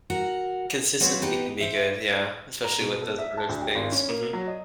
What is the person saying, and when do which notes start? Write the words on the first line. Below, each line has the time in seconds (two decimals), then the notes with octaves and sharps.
Consistency can be good, yeah, especially with those sort of things, mhm.
0.10 F#4 A#4 F#5
1.00 F3 F#3 B3 C4
1.22 B3 D#4 G4 B4
1.61 C5 E5
2.64 A#5
2.80 B2
3.02 A4
3.19 E5
3.37 A5
3.49 D2
3.62 G4
3.75 G#1
3.92 C#4
4.09 A#3
4.33 F#3
4.47 D#5